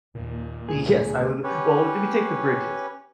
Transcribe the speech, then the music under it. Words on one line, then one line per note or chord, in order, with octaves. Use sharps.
Yes, I would Well, do we take the bridges?
D#2 A#2
D2 B2 A3 G#4
C#4 G4 B4 C#5